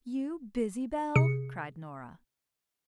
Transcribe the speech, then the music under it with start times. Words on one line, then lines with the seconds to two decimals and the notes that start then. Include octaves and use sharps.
"You busy, Belle," cried Nora.
1.16 C3 G#4 C#7